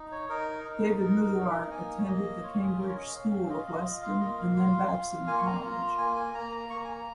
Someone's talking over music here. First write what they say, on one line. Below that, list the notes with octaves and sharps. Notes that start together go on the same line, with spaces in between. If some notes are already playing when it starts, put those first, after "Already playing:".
David Mugar attended the Cambridge School of Weston, and then Babson College.
Already playing: D#4
C#5
D#4 A#4
D#4
D#4
D#4
A#3 G#5
C#5
A#3 D#5
F4 C#5
G#4
C#4 A#4
C#5
D#5
C#4 F5
F5
F4 D#5
D#5
F4 D#5
F5
A#3 D#5
F5
F4
F4
A#3 G#5
C#6
A#5
F4 A#5
A#3 G#5
G#5
A#3 A#5
A#5
A#3 C#6
A#5
G#5
A#5